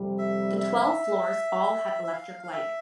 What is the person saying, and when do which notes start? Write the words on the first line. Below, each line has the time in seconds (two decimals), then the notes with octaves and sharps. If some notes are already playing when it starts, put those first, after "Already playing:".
The twelve floors all had electric lighting.
Already playing: F2 C3 G3
0.19 E5
0.58 E5
2.04 E5
2.13 F5
2.44 F5
2.52 E5